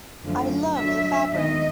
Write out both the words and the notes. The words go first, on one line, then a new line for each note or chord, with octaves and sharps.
I love the fabric!
F#2 D3 F3 A3
D3 F#3 A3 D4 E5
D#2 D#3 G#3 B3 D#5